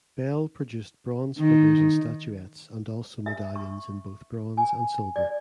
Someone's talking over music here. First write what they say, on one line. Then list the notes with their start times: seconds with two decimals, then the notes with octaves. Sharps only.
Bell produced bronze figures and statuettes and also medallions in both bronze and silver.
1.39 D#3
3.26 E5
3.56 C#6
4.57 G#5
5.16 D5